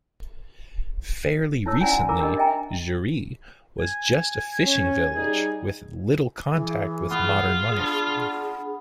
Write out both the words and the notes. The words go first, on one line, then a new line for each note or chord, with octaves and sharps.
Fairly recently, Jeri was just a fishing village with little contact with modern life.
D#4 E4 C#5 E6
C#4 E4 F#4 D5 F#5 G#5
F#4
E4 A#4 A#5 B5 D6
D4 G4 A#4 D#5
D#5 E5 G5 G#5 A#5
G#5
C#4
G3 D#4 G#4
E3 G#4
B3 F4
D4